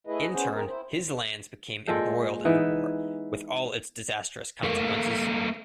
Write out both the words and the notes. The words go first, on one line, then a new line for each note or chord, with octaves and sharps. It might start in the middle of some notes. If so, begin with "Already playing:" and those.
In turn, his lands became embroiled in the war, with all its disastrous consequences.
A3 E4 G#4 B4 D#5
B3 C#4 F#4 G#4 C5
C4 G#4 A#4
E4 C5
A#2 G#3 A4 G5
E3 B3 D#4
A3 A#3